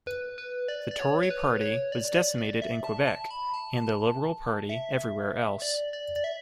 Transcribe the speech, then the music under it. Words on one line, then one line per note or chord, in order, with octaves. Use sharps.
The Tory party was decimated in Quebec, and the Liberal party everywhere else.
B4
B4
D5
D5
C#5
C#5
B4
C#5
D5
D5
D5
E5
A5
A5
B5
A5
A5
E5
D5
D5
D5
E5